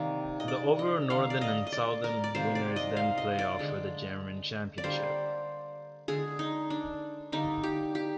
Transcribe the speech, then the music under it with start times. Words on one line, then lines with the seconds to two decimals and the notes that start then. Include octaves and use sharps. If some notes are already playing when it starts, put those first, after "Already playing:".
The overall northern and southern winners then play off for the German Championship.
Already playing: C3 D#3 A#3 D5
0.40 D#5
0.48 D5
0.79 D#5
1.10 D3 G3 A#3 F5
1.30 D5
1.41 D#5
1.67 D#5
1.72 D5
2.04 A#4
2.24 D5
2.35 C3 D#3 A#3 C5
2.55 D5
2.76 D#5
2.97 F5
3.18 D#5
3.39 D5
3.59 D3 G#3
4.78 D5
4.84 D3 G3 A#3 C5
6.08 D3 G#3 G#4
6.39 D#4
6.70 D4
7.32 D3 G3 A#3 D#4
7.64 G4
7.95 G4